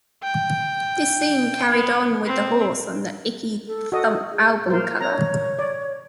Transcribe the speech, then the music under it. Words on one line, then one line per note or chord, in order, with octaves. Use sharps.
This theme carried on with the horse on the Icky Thump album cover.
G5
B3
C4
A4
F#4 A4 D#5
G#4
A#3 A#4 C5
C#5 A#5
D5